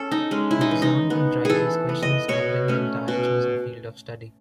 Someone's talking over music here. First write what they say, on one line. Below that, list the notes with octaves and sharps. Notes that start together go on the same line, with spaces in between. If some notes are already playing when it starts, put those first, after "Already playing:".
The exam comprises questions covering the entire chosen field of study.
Already playing: C#4 A4
D#4
G#3 C#4
E4
D#4
E3
D#4
B3
E3 G#4 A4
B3
D#5
B2 C#5
A3 C#4
B2